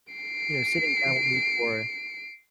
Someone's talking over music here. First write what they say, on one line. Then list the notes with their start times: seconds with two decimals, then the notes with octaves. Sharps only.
you know, sitting down with me for
0.13 C7 D7